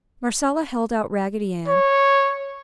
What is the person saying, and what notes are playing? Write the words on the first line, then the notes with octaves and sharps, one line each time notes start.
Marcella held out Raggedy Ann.
C#5